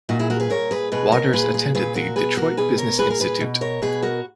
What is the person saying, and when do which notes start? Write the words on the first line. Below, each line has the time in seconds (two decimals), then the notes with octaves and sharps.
Waters attended the Detroit Business Institute.
0.09 A#2 D#4 F#4
0.19 E4 G#4
0.30 F#4 A#4
0.40 G#4 B4
0.50 A#2 A#4 C#5
0.71 G#4 B4
0.92 B2 G#4 B4
1.12 A#4 C#5
1.33 A#2 G#4 B4
1.54 G#4 B4
1.75 A#2 G#4 B4
1.95 F#4 A#4
2.16 B2 G#4 B4
2.37 F#4 A#4
2.57 B2 G#4 B4
2.78 A#4 C#5
2.99 A#2 G#4 B4
3.10 A#4
3.20 G#4 B4
3.41 B2
3.61 A#4 C#5
3.82 B2 G#4 B4
4.03 F#4 A#4